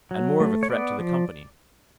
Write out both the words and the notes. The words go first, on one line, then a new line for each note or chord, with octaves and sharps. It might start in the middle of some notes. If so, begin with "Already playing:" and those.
And more of a threat to the Company.
F#3
A3
C#5
B3 D5
F3